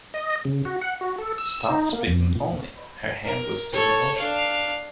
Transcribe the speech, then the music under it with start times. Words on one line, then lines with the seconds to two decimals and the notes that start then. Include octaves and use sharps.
Stopped speaking only; her hand was still in motion.
0.14 D#5
0.45 C#3
0.65 F#4
0.81 F#5
1.01 F#4
1.18 A4
1.38 E6
1.69 D#4
1.93 A#3
2.07 F2
2.35 A#2
3.24 A#4
3.72 A4 C#5
4.17 D4 F5